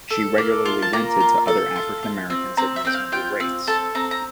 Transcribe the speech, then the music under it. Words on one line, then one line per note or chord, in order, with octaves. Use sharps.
She regularly rented to other African Americans at reasonable rates.
A4
A#3
F4
A5
A#3 A#5
F4
A4
F4
F4
C4
C4 A#5
E5
C4 G5
F5
F4 G5
C4
A4 A5
C4 A#5
A#5